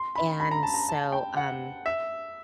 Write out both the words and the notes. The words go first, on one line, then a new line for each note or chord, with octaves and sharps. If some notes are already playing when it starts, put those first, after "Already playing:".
and so, um,
Already playing: C6
B5
B5
A#5
A5
A#5
A5
G5
F#5
E5